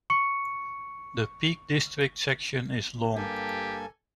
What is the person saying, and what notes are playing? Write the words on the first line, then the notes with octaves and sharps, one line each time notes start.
The Peak District section is long.
C#6 C#7
G2 A#3 G4 A4 G#5